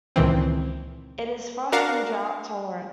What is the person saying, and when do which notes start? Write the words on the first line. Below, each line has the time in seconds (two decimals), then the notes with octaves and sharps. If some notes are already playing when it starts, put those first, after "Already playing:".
It is frost and drought tolerant.
0.16 C#2 A#2 D#3 E3 C4
1.72 D4 F#4 A#4 F5 F#5 A#5